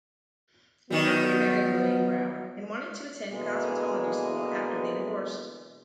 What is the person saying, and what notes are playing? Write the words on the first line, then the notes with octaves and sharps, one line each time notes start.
Humphrey married William Brown and wanted to attend cosmetology school after they divorced.
D#3 F#3 G3 B3
B2 D3 E3 G#3 A#3